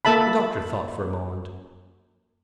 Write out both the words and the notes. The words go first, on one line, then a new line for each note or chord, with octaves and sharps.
The doctor thought for a moment.
A#3 A4 E5 A5 B5